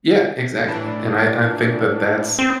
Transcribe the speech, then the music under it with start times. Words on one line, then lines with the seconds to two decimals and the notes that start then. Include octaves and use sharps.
Yeah, exactly, and I I think that that's
0.67 A2 E3 D4
2.39 C4